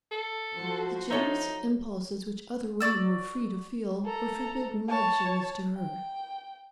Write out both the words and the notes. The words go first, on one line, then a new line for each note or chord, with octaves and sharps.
The generous impulses which other women were free to feel were forbidden luxuries to her.
A4
F3 F#4 C5
D#4 A4 C#5 E5
F#4 G4 D5 E6
A4 A#5
C#5 A5
G5